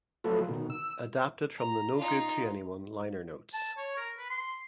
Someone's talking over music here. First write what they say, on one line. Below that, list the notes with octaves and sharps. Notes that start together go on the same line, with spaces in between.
Adapted from the "No Good to Anyone" liner notes.
F3 F#3 A3 F4 A4 B4
B2 D#3
E6
A#5
D#4 F4
A5
C#5
A#4
B4
C6